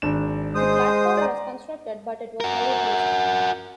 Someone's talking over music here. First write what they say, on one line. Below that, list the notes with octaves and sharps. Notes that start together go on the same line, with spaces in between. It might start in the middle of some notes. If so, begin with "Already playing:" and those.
The platform was constructed, but it was never used.
G#1 D4 E7
G#3 C5 D#6
D5 A#5
F#4 A#4